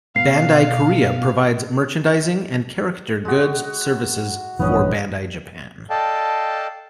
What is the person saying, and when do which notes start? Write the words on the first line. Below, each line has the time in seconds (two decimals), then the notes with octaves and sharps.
Bandai Korea provides merchandising and character goods services for Bandai Japan.
0.16 B2 F5 C7
3.25 G#3 F#4
4.59 A#1 G2 E3 B3 C#4 D#5
5.90 A4 D5 D#5 F5 G5 A5